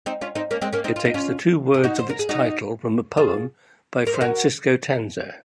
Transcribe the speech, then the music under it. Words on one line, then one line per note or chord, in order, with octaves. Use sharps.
It takes the two words of its title from a poem by Francisco Tanzer.
C4 D#4
C#4 F4
C4 D#4
A#3 C#4
G#3 C4
A#3 C#4
C4 D#4
F4
D#4
C#4 F4
G#4
D#4 F#4
C5
A#4
G#4
D#4 F#4
F4 G#4
A#4
C5
F#4 A#4